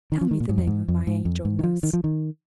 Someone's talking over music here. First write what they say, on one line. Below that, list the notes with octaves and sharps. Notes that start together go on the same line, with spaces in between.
"Tell me the name of my angel nurse."
D#3
F3
D#3
A#2
G#2
F2
G#2
F2
G#2
F2
G#2
D#3
F3
D#3
F3
D#3